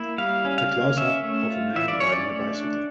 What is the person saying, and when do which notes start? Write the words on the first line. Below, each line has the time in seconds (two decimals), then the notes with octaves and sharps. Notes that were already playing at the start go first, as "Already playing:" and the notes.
A closeup of a man riding a bicycle.
Already playing: A#3 E4
0.18 G3 F5
0.45 C#4
0.58 F5
0.71 A#3
0.97 C#4 E5
1.23 A3
1.50 F4
1.76 E3 E5
1.88 D5
2.00 C#4 C#5
2.12 D5
2.28 A3
2.54 D4